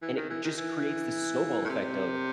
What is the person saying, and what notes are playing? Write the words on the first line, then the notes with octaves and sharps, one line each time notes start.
and it just creates this snowball effect of
E3
D#3
E3
D#3
E3
A2
C3